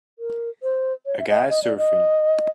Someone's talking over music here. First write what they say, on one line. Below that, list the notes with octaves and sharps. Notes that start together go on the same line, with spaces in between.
A guy surfing.
A#4
C5
C#5
E5
D#5
D#5
D5
D#5